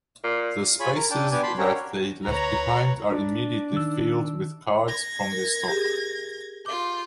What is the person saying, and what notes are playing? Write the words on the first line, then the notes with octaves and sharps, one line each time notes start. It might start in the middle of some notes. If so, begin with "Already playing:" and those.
The spaces that they left behind are immediately filled with cards from the stock.
A#2
F4 G#4 C#5 G#5 B5
A#4
D4 G5 A5
B3 D4 G4 D5 G#5
A5 B5 C6
C#4 D4 F#4 G4 A#4 C#5
D2 B4 C#5 A#5
D4
D#3 E6
G#6 A#6
A#4
G4 G#4
F4 D6 G6